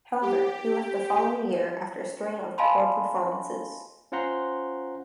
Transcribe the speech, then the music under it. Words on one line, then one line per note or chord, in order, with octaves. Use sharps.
However, he left the following year after a string of poor performances.
G4
D#5 F5 G#5 A5 B5 C6
C#4 F4 C5 F#5 A#5 C6